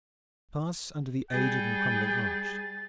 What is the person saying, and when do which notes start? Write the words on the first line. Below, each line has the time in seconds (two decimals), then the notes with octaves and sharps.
Pass under the aged and crumbling arch.
1.31 G3 G#4 G5 A6